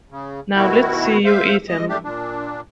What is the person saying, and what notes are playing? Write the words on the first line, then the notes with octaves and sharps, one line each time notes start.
Now let's see you eat 'em.
C#3
B2 D#3 E4 F#4
C5 E5 F5
D#5
A2 A3 D4 G4
A#2 D4